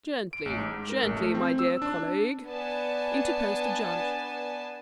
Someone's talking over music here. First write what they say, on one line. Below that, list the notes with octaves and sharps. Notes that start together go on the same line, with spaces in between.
"Gently, gently, my dear colleague," interposed the Judge.
D7
A1
G#2
A#4
A1
A3
C4
E6
D4
B3 D4 G#5 A5